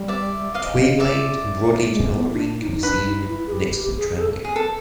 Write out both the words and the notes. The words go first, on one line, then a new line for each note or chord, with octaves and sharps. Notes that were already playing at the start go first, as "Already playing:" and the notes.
Twayblade and broadleaved helleborine can be seen next to the tramway.
Already playing: G3
D5 E5
D#5 F5
D5 E5
G#3
B3
D#4
D4
D#4
D#4
D4 B4
D#4
E4
G#4
G4
G4
G#4
G#4
A4
G#4
A4